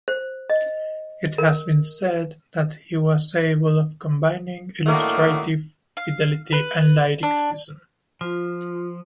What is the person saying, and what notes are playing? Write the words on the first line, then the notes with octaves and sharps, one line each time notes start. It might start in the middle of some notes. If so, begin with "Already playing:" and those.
It has been said that he was able of "combining illustrative fidelity and lyricism".
C5
D#5
A#4
A2 D3 D#3 F#3 A3 A#3
F5
B4
D4
F3 F4